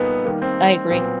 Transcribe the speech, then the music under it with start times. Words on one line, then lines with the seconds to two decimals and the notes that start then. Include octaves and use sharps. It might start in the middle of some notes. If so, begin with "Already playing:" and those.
I agree.
Already playing: A#2 G3 A#3 B3 D#4 A4
0.25 D#3 G3 A#3
0.42 C4
0.90 A#2 F#3 B3 C4